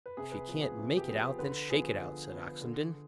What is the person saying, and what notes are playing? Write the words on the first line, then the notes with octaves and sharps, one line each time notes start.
"If you can't make it out, then shake it out," said Oxenden.
B4
C3 G#4
B4
F3 B3
G#4
C3
G4
F3 B3 G#4
D3 B4
F3 B3 G#4
D3
F3 B3
D3